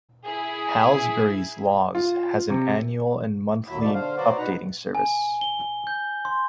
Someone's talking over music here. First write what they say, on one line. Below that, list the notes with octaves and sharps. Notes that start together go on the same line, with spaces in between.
"Halsbury's Laws" has an annual and monthly updating service.
E4 G#4
F4
C3
D#2 F#3 E4 E5
G#2 B2 A3 D5
D3 C5 F5
F#3 B3 F#4 C5 D5
B2 B3 D#4 B4 F#5 A#5
G#5
G7
G6
C6